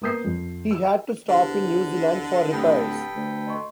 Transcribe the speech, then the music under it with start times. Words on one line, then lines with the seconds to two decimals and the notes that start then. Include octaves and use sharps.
He had to stop in New Zealand for repairs.
0.02 A#3 B3 D#6 G6 C7
0.24 F2
0.71 E6
1.29 E2 D3 G4 B4 C5
2.52 D1 G4 A4 B4 G5 D#6
3.15 D2
3.47 D#5 C6 C#6